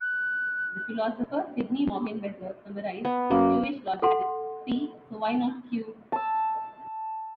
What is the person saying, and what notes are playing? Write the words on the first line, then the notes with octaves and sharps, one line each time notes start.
The philosopher Sidney Morgenbesser summarised Jewish logic as If P, so why not Q?
F#6
B3
F#2 A#3
A4 F#5 C6
A5 E6